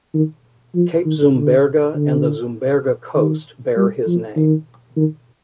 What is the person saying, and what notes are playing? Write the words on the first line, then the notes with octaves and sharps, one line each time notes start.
Cape Zumberge and the Zumberge Coast bear his name.
D#3
F3
D#3
D3
D3
D#3
G3
F3
D#3
D#3